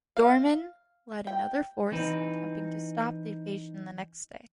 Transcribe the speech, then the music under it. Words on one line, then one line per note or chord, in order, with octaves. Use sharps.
Doorman led another force attempting to stop the invasion the next day.
F5
G5
E3 C4 D#4 B4